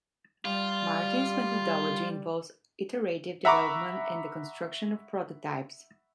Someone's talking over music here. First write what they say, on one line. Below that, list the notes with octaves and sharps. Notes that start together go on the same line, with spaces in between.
Martin's methodology involves iterative development and the construction of prototypes.
G3 F4
E5 F#5 A#5 B5 C#6 D6